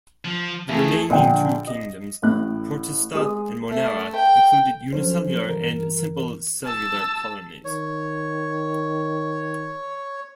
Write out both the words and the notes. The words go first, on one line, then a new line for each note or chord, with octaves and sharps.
The remaining two kingdoms, Protista and Monera, included unicellular and simple cellular colonies.
F3
F2 E3 A3 E4 G#4
A#1 D3 F#5 G5
D#5
A1 A2 F#6
G#3 G#4 D#6
A3
G5
F3 F#3 C#4 A4 C5
C2 G2 E3 A#4
A5 E6
D#3 C#5